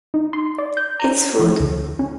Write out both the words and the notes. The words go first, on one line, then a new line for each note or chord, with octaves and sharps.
It’s food.
D#4
C6
D5
G6
A#5
F3
D2
C#4